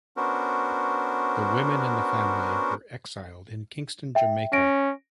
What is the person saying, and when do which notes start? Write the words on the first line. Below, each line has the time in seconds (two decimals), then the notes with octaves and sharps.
The women in the family were exiled in Kingston, Jamaica.
0.17 B3 C#4 D4 F#4 A#4 C5
4.15 E5 G5
4.53 C#4 A#6 D7